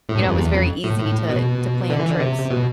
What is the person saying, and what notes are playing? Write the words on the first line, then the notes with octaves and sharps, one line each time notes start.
you know, it was very easy to to plan trips
A2
G2
F2
E2
F2
A2
A2
B2
D3
E3
D3
C3
B2